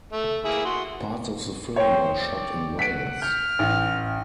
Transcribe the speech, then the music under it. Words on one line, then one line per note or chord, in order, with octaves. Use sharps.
Parts of the film were shot in Wales.
A3
A#3 E4 G#4
F#4 C6
C5 C#5 G5
D5
F#5 B6 D7
F6 G6
A1